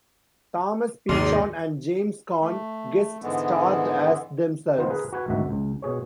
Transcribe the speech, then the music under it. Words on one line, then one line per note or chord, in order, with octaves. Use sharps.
Thomas Pynchon and James Caan guest starred as themselves.
D#2 G#2 C3 F#3 D#4 G#4 D5 C6
A3
G#2 D3 E3 G#3 B3
D#3 B3 F4 C5
G#4 A#4 B4
F#4 B4 G#5
G#1 D2 D#3 F#4 E5
C#2
B2 G#4 C#5